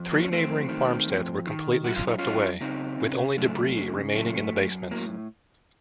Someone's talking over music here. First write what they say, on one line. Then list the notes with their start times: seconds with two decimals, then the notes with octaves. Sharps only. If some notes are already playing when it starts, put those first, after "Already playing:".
Three neighboring farmsteads were completely swept away, with only debris remaining in the basements.
Already playing: F2
0.12 F#3 A#3
0.25 C#4
0.32 F2 A3 C4
0.69 D#3
1.08 F2
1.47 D#3
1.84 F#2 F#4
1.96 F4
2.07 D#4
2.18 F#2 C#4 F4
2.61 C#3 C4 D#4
3.00 C#3
3.38 F#2 A3
3.77 C#3
4.15 F#2 A3
4.53 F#2
4.91 A2 F#3 A#3